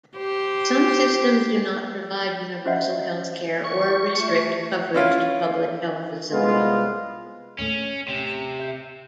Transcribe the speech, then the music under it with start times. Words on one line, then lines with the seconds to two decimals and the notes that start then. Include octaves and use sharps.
Some systems do not provide universal healthcare or restrict coverage to public health facilities.
0.17 G4 C5
2.65 C#4 F4 F#4 D#5 E5 F#5
3.64 C#6
4.15 A3 F4 E5
4.94 C#4 E4 F4
6.32 C2 G#3 B3 F4
7.58 D#2 A2 A3 C#4
8.08 C3
8.59 E5 G6 C7